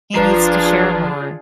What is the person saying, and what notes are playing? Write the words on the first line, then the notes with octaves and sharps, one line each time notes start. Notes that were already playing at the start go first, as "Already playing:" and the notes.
he needs to share more."
G1 F3 D4 F4 G#4 B4 A#5